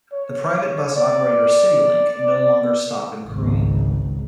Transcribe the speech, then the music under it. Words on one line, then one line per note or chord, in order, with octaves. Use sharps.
The private bus operator Citylink no longer stop in Croom.
C#5
D5
G#1 C#2